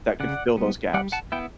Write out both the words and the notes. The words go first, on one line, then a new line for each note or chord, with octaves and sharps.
that could fill those gaps.
C#3 D5 F#5
G3 B3
G3 D5 F#5
F#5 A5
B3 E4 E5 G5